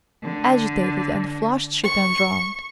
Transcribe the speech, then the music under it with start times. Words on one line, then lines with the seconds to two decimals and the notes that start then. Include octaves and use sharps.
Agitated and flushed she turned round.
0.24 D3
1.83 C#6